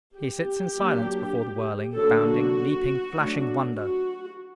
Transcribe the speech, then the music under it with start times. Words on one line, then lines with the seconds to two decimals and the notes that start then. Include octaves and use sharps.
He sits in silence before the whirling, bounding, leaping, flashing wonder.
0.15 G4
0.75 F#3 A#3 D4
1.95 D3 F#3 A#3 D4 A4
2.25 F#4
3.15 F#3 A3 D4
3.74 F#4